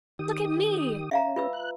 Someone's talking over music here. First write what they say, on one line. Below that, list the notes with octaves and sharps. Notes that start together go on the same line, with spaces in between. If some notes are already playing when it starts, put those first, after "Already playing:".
"Look at me!"
D#3 G4 D#6
C#4 E5 F5 A#5
F4 B4 E6
F#6